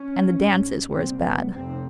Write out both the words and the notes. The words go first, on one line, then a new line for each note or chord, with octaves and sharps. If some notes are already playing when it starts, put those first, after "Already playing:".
And the dances were as bad.
Already playing: C#4
A#1 G#2
C2 A#2 C4
B3
F1 F2 C3 C4